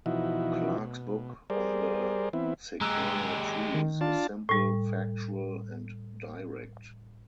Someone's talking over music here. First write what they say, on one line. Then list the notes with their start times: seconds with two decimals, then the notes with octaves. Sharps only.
Clark's book on the sequoia trees is simple, factual, and direct.
0.06 B2 E3 F3 D#4 E4 F#4
0.78 B2
1.50 G3 G#4 A#4 C5 D5
2.33 E3 B3 C4 E4
2.81 G#3 G4 A#5 E6 F#6
3.74 D#3
4.01 D4 F4 A5
4.49 A2 G3